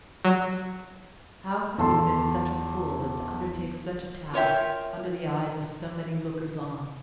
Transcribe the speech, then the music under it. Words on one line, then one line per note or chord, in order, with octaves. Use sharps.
How could he have been such a fool as to undertake such a task under the eyes of so many lookers-on?
F#3
E2 A4 C6
F4 A#4 C#5 D5 E5 G5